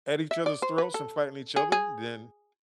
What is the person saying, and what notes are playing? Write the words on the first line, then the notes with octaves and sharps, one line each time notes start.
at each other's throats and fighting each other, then,
E5
D5
C5
B4
A4
G#4
G#4